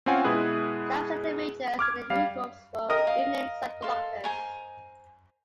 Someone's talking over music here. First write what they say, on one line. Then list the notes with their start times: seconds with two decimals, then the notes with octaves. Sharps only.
Staff sergeant majors in the new corps were renamed sub-conductors.
0.06 C4 C#4 F4 F#5 G#5
0.24 B2 G#3 E4 G#4 B4
1.79 D6 F6 G#6
2.10 G3 F5
2.90 A#4 D#5 G5 A#5 D#6
3.07 F5
3.82 A4 F5 C6
4.24 C5 G#5 A#5